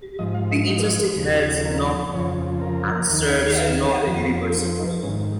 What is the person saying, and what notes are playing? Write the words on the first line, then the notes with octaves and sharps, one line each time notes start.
The interstate heads north and serves North Liberty.
G#2 F3 D#5
F5
D#5
D#5
D#2 C#3 F3
A#4
F2 C#3 F3 C#5
A#4
D#2 D#3
F2 F3
D#4
G#2 D#3 C#4